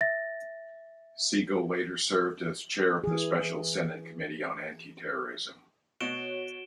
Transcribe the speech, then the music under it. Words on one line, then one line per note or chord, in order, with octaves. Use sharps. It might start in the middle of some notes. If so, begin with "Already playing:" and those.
Segal later served as Chair of the Special Senate Committee on Anti-Terrorism.
E5 A6 A#6
E3 G#4
B2 F#4 C#5 D7 E7 G7